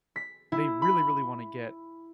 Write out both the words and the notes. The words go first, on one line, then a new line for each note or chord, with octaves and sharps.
they really, really wanna get,
B6
E4
B5